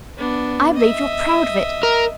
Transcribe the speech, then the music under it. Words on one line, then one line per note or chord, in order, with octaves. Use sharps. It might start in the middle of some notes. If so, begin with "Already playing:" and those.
I believe you're proud of it.
B3 D4
D#5 E5
A#4